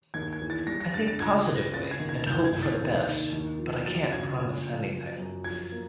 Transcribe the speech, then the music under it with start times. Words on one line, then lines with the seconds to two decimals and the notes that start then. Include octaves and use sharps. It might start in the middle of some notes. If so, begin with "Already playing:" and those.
I think positively and hope for the best, but I can't promise anything.
0.14 D#2 G#6
0.33 G#6
0.41 E3
0.50 A6
0.67 G3 A#6
0.80 A#6
0.94 D3 A6
1.07 A6
1.20 C#2 G#6
1.47 C#2
1.56 A#6
1.73 C#3 A6
1.91 G#6
2.00 D#2
2.09 G#6
2.26 C2 G6
2.44 G#6
2.53 C2
2.62 A6
2.80 D#2
3.06 D#3
3.33 D#2
3.59 F3
3.86 F#3 A6
4.12 C#3 G#6
4.39 A#2
4.66 F3
4.91 F#2
5.18 F#2
5.44 F3 G#6
5.72 A#3